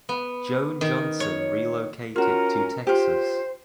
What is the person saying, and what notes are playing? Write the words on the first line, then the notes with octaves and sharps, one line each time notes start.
Joan Johnson relocated to Texas.
B3
D#3
C#5
C#4 F4 F#4 A#4
F4 G4 C5